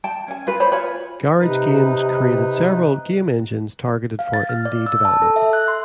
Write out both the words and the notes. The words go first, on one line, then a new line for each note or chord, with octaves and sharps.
GarageGames created several game engines targeted for indie development.
G5 A5
C#4 G#5
F4 B4
C5 C#5 B5
F4 C#5 G#5 B5
C3 D#4 B4
F5
A6
F6
D5
E6
A5
A4
E5
F#6
C6